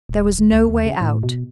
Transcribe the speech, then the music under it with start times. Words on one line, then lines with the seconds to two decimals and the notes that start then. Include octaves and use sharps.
There was no way out.
0.09 D#1
0.39 G1
0.52 C#2
0.69 D#2
0.86 C#3
1.01 A2
1.23 B2